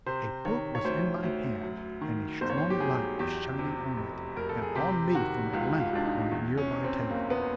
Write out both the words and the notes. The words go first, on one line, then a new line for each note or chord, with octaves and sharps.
A book was in my hand and a strong light was shining on it and on me from a lamp on a near-by table.
C3 C5
D#3 C#5
C#5
D2 C5
D2
F#2
D#3
G1 C5
C#5
C5
G4
F#3 G#4
E2 G4
C3
F1
F1 A#4
A4
G#4
C3 G4
D#3 F#4
C#2 F4
F4
C#2 D4
D#4
E2
C#4
C3
C4
F#1 A#3
B3